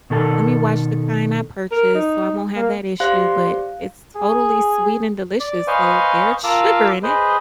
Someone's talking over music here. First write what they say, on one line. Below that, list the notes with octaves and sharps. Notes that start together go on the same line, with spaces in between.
Let me watch the kind I purchase so I won't have that issue," but, it's totally sweet and delicious so there's sugar in it.
B2 D#3 A4 G#5 A5
A#4
D#4
A#3
G4 C5 D5 F5 C6 F#6
G#4
D5
B4 C5 D#5 F5 G#5 C#6
F4 A#4 F5 A5 D6 E6
G#4 B4 C5 D#5